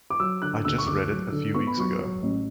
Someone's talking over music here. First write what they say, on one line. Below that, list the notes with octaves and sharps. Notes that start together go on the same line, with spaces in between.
I just read it a few weeks ago.
D6
F#3 E6
D3 F#6
D2 E6
C#6
D2 D6
F#3
D3
B3 C#6
B5
F#3 C#6
F#3
A1